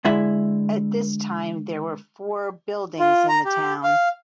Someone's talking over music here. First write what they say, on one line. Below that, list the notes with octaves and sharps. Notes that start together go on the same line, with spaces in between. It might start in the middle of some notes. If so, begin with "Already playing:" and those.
At this time there were four buildings in the town.
D3 G#3 E4 E5
F4
A#5
G4
F5